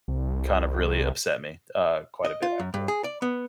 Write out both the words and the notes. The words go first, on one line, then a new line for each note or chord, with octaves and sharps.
kind of really upset me, uh, quite a bit, actually.
C2
D#5
F4
F#2
G2
G#4
D5
B3